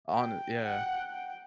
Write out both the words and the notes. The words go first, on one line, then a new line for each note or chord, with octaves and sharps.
On it, yeah.
G5
F#5 G5
G5